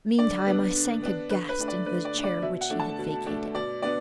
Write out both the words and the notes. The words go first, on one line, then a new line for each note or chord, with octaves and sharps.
Meantime I sank aghast into the chair which she had vacated.
D3 D5
B3 D4
D3
B3 D4
D3 B4
B4
A3 D4
D5
D3 B4
D5
A3 D4
D5
B2 E5
F#5
A3 D4
A5
B2
A3 D4
B2 D5
B3 D4 D5